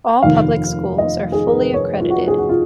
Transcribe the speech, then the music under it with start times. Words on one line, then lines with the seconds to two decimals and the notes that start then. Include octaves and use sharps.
All public schools are fully accredited.
0.23 F1 D#2 D#3 F5
0.98 D#5
1.32 G#4
1.47 A#4
1.59 B4
1.74 C#5
2.00 F4
2.10 F#4
2.28 G#4
2.38 F#4
2.49 F4